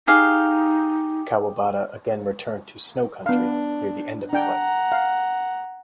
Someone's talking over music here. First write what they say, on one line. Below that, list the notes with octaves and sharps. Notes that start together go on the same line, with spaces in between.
Kawabata again returned to "Snow Country" near the end of his life.
D#4 G4 G#4 F5
B3 D4 F5
D4 F#5 G5 A#5
F5